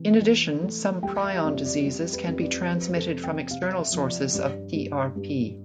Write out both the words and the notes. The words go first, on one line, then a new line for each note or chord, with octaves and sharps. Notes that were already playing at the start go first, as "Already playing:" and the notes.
In addition, some prion diseases can be transmitted from external sources of PrP.
Already playing: C3 E3
E3
A3
G3 G5
E5
F2 D5
D5
G3
B4
F2
D5
F3 C5
B4
C5
A4
C3
G5
C3 F5
E5
F3
D5
G2 D5
G2
G2